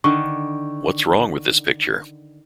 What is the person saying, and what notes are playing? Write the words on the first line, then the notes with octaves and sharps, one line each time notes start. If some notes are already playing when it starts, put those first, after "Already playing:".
What's Wrong with This Picture?
D3 D#3 C#6